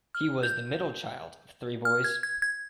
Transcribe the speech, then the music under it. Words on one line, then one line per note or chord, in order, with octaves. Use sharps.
He was the middle child of three boys.
F6
G6
F6
G#6
G#6
G#6